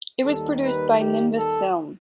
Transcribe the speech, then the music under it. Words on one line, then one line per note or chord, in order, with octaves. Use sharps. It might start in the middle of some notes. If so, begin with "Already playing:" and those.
It was produced by Nimbus Film.
D#2 D#3 G3 A4
B4
G4
A4